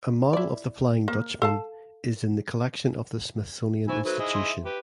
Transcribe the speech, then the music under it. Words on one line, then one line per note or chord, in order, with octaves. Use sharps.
A model of the "Flying Dutchman" is in the collection of the Smithsonian Institution.
E4 D5
A#3
A4 F5 A5
D#4 E4 C5 G#5 C#6
F#3 A3 B4 C5
E4 G#4 D#5
C6
E5
G4 B4